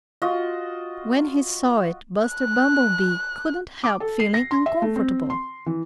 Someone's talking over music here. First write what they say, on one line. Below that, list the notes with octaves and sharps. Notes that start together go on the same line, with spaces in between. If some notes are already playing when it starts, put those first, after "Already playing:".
When he saw it Buster Bumblebee couldn't help feeling uncomfortable.
F4 F#4 D#5
F#6
D6
A4
C7
A#6
C6
E5
A3
C4
C6
E3